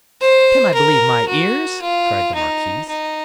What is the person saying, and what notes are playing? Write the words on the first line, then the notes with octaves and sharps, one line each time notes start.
"Can I believe my ears?" cried the marquise.
C5
A#4
F#4
F4
D#4
D#4